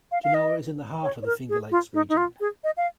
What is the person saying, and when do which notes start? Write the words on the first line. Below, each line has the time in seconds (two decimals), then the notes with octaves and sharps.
Genoa is in the heart of the Finger Lakes region.
0.12 F5
0.24 F5
0.34 D#5
1.03 C#5
1.23 C#5
1.26 A#4
1.49 G#4
1.71 F4
1.94 D#4
2.09 D#4
2.17 F4
2.40 G#4
2.64 D#5
2.77 F5